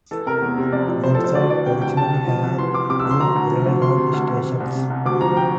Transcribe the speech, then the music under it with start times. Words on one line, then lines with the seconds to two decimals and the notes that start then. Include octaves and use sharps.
Woodside originally had two railroad stations.
0.11 E3 A4
0.26 C3 A#4
0.42 E2
0.58 C3
0.72 F2 D5
0.88 F3
1.04 F2 C5
1.15 A4
1.19 F3 C5
1.35 D2 D5
1.50 E3 D5
1.66 C3 G5
1.81 D2 G5
1.97 C2 A5
2.12 C2
2.28 F3
2.43 C2
2.58 E3 C6
2.74 E3 D6
2.89 C3 D6
3.00 E6
3.04 C2
3.11 C6
3.20 D2 A#5
3.36 D2
3.52 F3
3.66 D2
3.82 D2 C6
3.97 C3
4.14 D2
4.28 D2
4.43 C3
4.60 C2
4.75 C3
4.90 C2
5.06 D2 D6
5.21 F3 A#5
5.37 G5